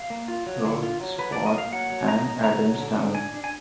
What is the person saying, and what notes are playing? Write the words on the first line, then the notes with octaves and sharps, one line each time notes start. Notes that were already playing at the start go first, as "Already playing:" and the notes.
Roath, Splott and Adamsdown.
Already playing: F5
A#3
F4
F#3
D3
F4
F#3
F#3 B4
A#3 D5
D#5
A#3 F5
F#3 F#5
F#3
D#4 A#5
D#4
D3 A#5
F#3
D3
D3
D4 G#5
D4
G#5